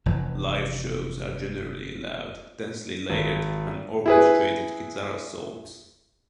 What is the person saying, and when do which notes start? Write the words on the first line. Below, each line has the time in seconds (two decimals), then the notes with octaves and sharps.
Live shows are generally loud, densely layered and orchestrated guitar assaults.
0.06 F1 E3 F3
3.09 G#1
4.06 E4 G#4 B4